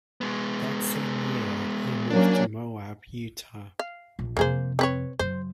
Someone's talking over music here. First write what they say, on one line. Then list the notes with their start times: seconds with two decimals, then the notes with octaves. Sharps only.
That same year he moved to Moab, Utah.
0.21 G#3 B3
2.10 F#3 A#3 C#4 D4
3.79 F5
4.19 A#1
4.37 F2 C3 A#3 G#4 C5
4.79 C4 B4 C#5
5.19 F#2 C#3 C5